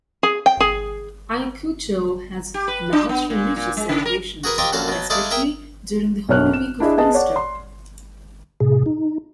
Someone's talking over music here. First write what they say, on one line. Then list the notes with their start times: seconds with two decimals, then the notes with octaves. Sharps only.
Ayacucho has large religious celebrations, especially during the Holy Week of Easter.
0.23 G#4
0.46 G5
0.60 G#4
2.54 G4
2.68 B4
2.93 D4
3.09 B3
3.30 A#2
3.56 A#2
3.77 G#3
3.89 C#3
4.06 A#4
4.44 F#4 G#4 A#4 B4 F#5
4.58 C4 F4 G4 A#4 D#5 G5
4.72 A#1 F#2 F#4 A4 F5
4.88 B2 F#3
5.10 G#3 D#4 E4 A4 D5 F5
5.31 G#4 A#4 E5 G5
6.29 B1 F#2 C#5 F6 F#6
6.53 E7
6.80 D4 E4 G#4 D#5
6.97 B3 G#4 D#5 A5
7.14 C#5 D5 F#5
7.36 C6
8.60 A2 C3 G#4
8.86 D#4